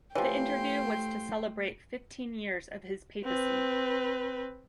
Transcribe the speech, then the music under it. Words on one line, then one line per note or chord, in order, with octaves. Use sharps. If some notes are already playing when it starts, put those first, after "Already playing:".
The interview was to celebrate fifteen years of his papacy.
E3 F3 A3 G4 C#5 G5 C6
C4 B4